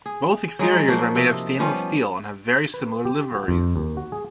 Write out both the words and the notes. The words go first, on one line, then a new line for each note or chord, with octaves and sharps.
Both exteriors are made of stainless steel and have very similar liveries.
G#4
F#3 G#3 D#4
F3 A#3 F#4
C3 D#5
F3 G3 B3 C#4
B4
G4
F#4
F2
D#2
F#4
G#4